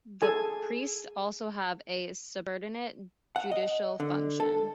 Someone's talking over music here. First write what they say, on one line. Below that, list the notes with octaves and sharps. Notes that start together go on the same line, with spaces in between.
The priests also have a subordinate judicial function.
G#4 A4 G#5
F#5
D#5
D3
A4